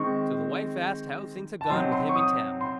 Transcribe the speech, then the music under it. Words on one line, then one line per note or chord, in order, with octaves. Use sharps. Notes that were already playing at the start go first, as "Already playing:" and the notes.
So the wife asked how things had gone with him in town?
Already playing: D#3 G#3 C4 C#6
A5
C3 F#3 C4 D#4 C6
C6
C#6
D#6
C6